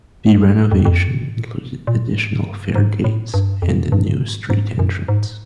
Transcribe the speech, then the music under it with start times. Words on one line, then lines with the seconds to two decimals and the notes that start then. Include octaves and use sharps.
The renovation included additional faregates and a new street entrance.
0.71 F2
0.85 F2
1.00 F#2
1.08 C3
1.15 B2
1.29 A2
1.87 A#2
2.07 A2
2.27 G#2
2.46 G2
2.75 G#2
3.04 A2
3.34 G2
3.62 F2
3.92 G2
4.21 G#2
4.50 G#2
4.79 F#2
5.08 G#2